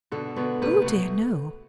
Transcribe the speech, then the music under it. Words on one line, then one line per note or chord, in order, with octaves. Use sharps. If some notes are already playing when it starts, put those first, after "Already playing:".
'Oh dear, no!
B2 D3 A4
B2 D3 B3
A2 C3 B4
A2
B2 A3